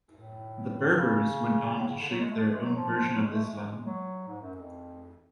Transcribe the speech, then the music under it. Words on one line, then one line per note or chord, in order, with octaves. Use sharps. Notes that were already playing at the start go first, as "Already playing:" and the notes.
The Berbers went on to shape their own version of Islam.
A2
C#3
A2
C#3
D3
F#3
G#3
A3
A3
G#3
F#3
F3
F3
F3
F#3
G#3
A3
G#3
F#3
G#2
F#2
F2